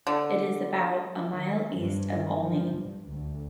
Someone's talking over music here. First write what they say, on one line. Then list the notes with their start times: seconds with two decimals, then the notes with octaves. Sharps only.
It is about a mile east of Olney.
0.07 D3
1.33 D#3
1.77 G2
2.13 D#3
2.43 F3
2.77 G2
3.07 D2